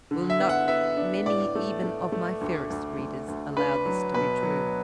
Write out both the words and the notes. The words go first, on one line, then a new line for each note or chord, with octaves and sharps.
Will not many even of my fairest readers allow this to be true?
D3
E5
B3
F#5
B3 E5
D4
A2 D5
A3
A3
A3
D2
D2
D2
D2
D4 B4
F#3
B2 B4
F#3